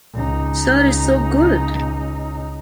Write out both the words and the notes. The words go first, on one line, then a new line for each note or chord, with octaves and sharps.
Sir is so good!
C#2 D#4